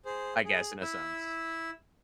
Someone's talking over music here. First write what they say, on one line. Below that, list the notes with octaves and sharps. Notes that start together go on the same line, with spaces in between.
I guess, in a sense.
G#4 C5
G#4
E4 E6